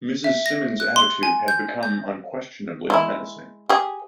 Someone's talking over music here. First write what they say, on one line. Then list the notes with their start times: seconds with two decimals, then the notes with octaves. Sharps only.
Mrs. Simmons's attitude had become unquestionably menacing.
0.24 E5
0.46 A#6
0.80 F#6
0.96 C6
1.23 G#5
1.48 G6
1.83 G6
2.90 G#3 E4
3.69 G4 G#4